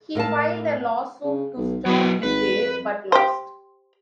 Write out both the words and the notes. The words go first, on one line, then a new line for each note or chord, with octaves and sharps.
He filed a lawsuit to stop the sale, but lost.
A2 A#4 F5 A5
C#3
B1
B2 F#3 E4
G#1 B4
F2
G4 C5